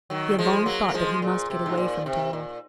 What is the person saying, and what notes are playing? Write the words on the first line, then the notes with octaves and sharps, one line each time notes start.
He had long thought that he must get away from it all.
D#3 F#3
F3 G#3
F#3 A#3
A#3
F3 G#3
A#2
C3
G#2
A#2
C3
A#2